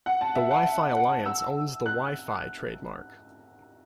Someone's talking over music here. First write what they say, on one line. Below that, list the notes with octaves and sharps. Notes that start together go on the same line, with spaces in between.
The Wi-Fi Alliance owns the "Wi-Fi" trademark.
F#5
A5
E5
F#5
E5
F#5
E6
F#6